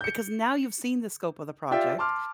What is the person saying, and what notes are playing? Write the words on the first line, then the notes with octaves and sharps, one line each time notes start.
Because now you've seen the scope of the project,
G6 C#7
F4 G4 D5 E5 G5
A5 C6 D6 F6